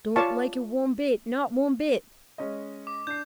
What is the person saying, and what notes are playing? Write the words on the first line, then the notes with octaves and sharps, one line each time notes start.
Don't like it one bit, not one bit!
F4 C#5 D5 F5 A5 C#6
G#3 C#4 D#5
D6
D4 G6 C7